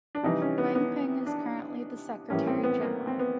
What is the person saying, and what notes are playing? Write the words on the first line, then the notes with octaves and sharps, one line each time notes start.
Wang Ping is currently the Secretary-general.
D4
C3 E3 G3 D#4
C#4
B3
B3
D4
A2 E3 G3 A#3 C#4
C4
B3
A#3
C4
B3